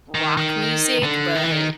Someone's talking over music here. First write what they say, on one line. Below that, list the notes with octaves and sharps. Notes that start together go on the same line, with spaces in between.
rock music, but,
D#3
D#3
D3
D#3
E3
D#3